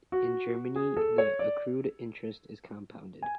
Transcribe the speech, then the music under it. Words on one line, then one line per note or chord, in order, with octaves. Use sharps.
In Germany, the accrued interest is compounded.
F#4
G#4
A4
C#5
D5
G#5